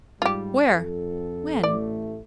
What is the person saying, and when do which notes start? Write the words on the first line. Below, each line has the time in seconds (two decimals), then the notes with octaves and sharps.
"Where? When?"
0.22 G#2 G3 F4 G4
0.68 F2 A4
1.63 A1 A2 A3 D5